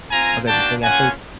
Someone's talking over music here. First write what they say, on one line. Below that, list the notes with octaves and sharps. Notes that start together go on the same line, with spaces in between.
of everything I think,
C4 F4 G#5 A#5
A#3 D4 F#4 G5 A5
A#3 C#4 F4 F#5 G#5